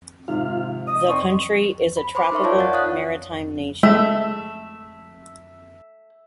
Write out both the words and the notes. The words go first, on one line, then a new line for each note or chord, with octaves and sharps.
The country is a tropical, maritime nation.
G#2 C3 D#3 F4 F5
D#5 D#6
C4 D5 C6 C#6
B5
C5 B5 C6 D6
D#4 A#4 E5 C#6
D#4 F4 C#5 D5 F5 A5
D5 F#5 A6
F5 D#6 F#6
G#3 A3 E5